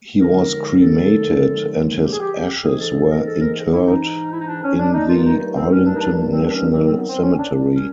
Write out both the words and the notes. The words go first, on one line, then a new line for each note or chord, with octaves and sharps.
He was cremated and his ashes were interred in the Arlington National Cemetery.
D#2 D3 F3 G#3 A#4
A#4
A4
G4
G#4
G4
G#2 E3 G#3 G#4
A4
A4
A#4
A4
A#4
E4
D#4
E4
D#4
D4
C#4
D4
D#4
G2 D#3 F#3 A3 F4
D#4
C4
C#4
D4
D#4
D4
C4
D4
C#4
C4
C4
B3
C4
C#4
D4
A#2 G3
C#4